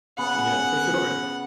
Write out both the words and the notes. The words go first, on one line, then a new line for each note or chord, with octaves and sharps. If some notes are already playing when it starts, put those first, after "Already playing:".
Yeah, for sure.
C#3 B3 F#5